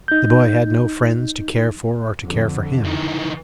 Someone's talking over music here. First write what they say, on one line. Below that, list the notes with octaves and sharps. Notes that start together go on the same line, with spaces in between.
The boy had no friends to care for, or to care for him.
D#4 G6
F2 D3
D#3 E3